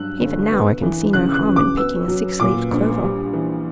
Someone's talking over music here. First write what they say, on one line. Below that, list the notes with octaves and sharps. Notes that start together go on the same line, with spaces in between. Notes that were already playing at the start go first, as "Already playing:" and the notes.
Even now I can see no harm in picking a six-leaved clover.
Already playing: G2 F#3 E6 F#6
G1
B3
E3
C#3 F#6
F#6
F#2
D6
B3 E6
F#3
A#2 D6
A#1
G3
E3